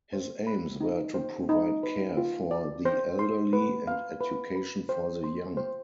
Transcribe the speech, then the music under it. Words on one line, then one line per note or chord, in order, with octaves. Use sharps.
His aims were to provide care for the elderly and education for the young.
C5
B5
D#4
C5
D#4
B4
F4
D5
C5
C6
B4
F5
B4
B5
C5
C6
C5